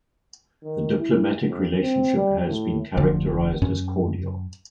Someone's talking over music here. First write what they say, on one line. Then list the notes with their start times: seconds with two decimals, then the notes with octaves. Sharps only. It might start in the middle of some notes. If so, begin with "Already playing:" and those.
The diplomatic relationship has been characterised as cordial.
0.63 D#3
0.99 E4
1.47 F2
1.81 C4
2.16 G3
2.48 A2
2.97 F1 D2 D3 F3
3.62 F#2 C#4